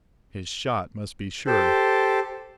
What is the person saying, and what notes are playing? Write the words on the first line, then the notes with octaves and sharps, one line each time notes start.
His shot must be sure.
G4 A4 C5